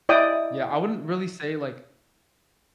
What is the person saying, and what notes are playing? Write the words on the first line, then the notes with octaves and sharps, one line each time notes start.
Yeah, I wouldn't really say, like,
E4 D5 D#5 G5 D6 D#6